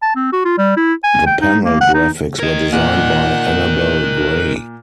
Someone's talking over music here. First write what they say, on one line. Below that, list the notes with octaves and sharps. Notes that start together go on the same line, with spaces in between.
The panel graphics were designed by Annabel Grey.
A5
C4
F#4
F4
G3
E4
G#5
G5
D#4
A#3
F#5
D#4
A#4 D#5 G#6
A#2 F#5 F#6
A#3